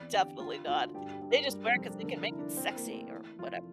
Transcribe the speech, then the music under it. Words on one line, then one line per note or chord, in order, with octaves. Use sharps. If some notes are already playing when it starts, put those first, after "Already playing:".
Definitely not. They just wear it 'cause they can make it sexy or whatev
Already playing: E2 C4 D5
D3 G4
D3 F4
D2 F4
G2 G4
G4
G2
A#4
G3
C4
F1
D4
A4
D3 A#4
A#4
E4
D4
C4 E4
A#3
A3
C4
E3
F1 F4